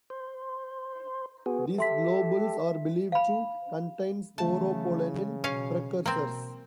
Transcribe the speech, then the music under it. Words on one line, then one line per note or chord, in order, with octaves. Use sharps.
These globules are believed to contain sporopollenin precursors.
C5
B3 F#4 G#4
G4 A4 E5 C6 B6
F5 B5
C#3 E3 F#3 A3 A5
B2 C#4 F5
B2 A#3 C4